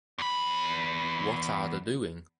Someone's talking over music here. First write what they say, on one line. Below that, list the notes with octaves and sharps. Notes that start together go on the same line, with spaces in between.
What are the doing?
E2 B5